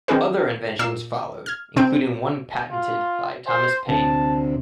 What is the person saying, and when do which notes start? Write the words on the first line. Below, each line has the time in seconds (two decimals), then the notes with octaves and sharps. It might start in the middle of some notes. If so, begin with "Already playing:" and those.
Other inventions followed, including one patented by Thomas Paine.
0.08 D#3 C4 D4 G#4 B4
0.79 A#2 E6 C7 E7
1.46 F6 G#6
1.76 C3 C4 D7
2.71 F4
3.47 C5
3.89 D2 C3 A5